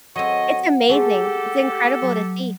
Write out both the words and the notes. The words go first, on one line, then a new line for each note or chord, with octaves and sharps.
It's amazing, it's incredible to see.
F#3 C4 A4 C#5 D#5 F#5
G#3 A3 G4 A4
F#3